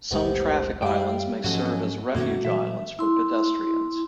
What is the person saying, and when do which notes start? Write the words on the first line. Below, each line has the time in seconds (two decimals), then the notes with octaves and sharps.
Some traffic islands may serve as refuge islands for pedestrians.
0.11 E1 B1 A2 C3 G#3 B3 C5
0.82 F#2 G3 E4 F5 G5
1.44 G#2 F3 F#3 C#4 F#4 A4 D#5
2.15 F#2 B2 D#3 A3 A#3 C#4 F#4 A#5
2.45 A#2 E3 F#3 E5
2.99 E4 C6